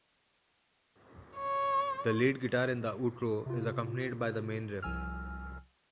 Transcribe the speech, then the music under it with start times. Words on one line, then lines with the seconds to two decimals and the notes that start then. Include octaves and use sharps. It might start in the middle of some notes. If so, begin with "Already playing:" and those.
The lead guitar in the outro is accompanied by the main riff.
1.37 C#5
3.46 C3 F4
4.82 C2 F3 G#5 E6 F6